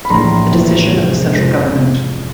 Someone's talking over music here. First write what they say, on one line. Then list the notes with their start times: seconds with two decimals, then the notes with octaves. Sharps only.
The decision of the Central government.
0.05 B5
0.10 A#1 A2 E3 A3 A#5 C6
0.51 A#1 A2 E3 A3
0.92 F2 C3 F3 G#3
1.34 C3 F3 G#3